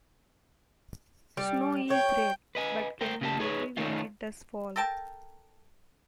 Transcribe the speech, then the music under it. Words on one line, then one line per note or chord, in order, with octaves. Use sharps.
Snow is rare, but can be heavy when it does fall.
G3
C#5 G5
B4 D#5 G#5
A#4 C5 G5
C#3 G4 A5
D#4 G#4 B4 C#5
D#3 A3 C#4 D#4 F4
A4 A#4 G5 A5